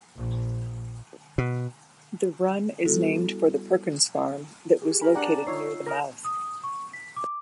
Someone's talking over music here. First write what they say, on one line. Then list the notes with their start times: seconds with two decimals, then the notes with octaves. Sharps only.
The run is named for the Perkins Farm that was located near the mouth.
0.17 A#1
1.38 B2
2.85 G3 B3 E4 F#4 A4
4.82 G4 G#4
5.01 A#4 G#5 B5
5.15 D4 D5 F#5 G5 A#5 D6
5.47 D#4 F4 C#5 E6 C7
5.86 A#4 D#6 F6 A#6
6.25 D#6
6.64 C#6
6.93 B6
7.16 D6